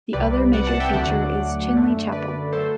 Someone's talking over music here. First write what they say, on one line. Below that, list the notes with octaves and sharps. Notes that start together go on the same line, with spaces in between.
The other major feature is Chinley Chapel.
C2 C3 G3 B4 D5
D5 F#5
F#5 A5
E5 G5
D2 D3 F#3 A3 D5 F#5
F#2 D3 A3
B4 D5
F#3 A3 A4 C5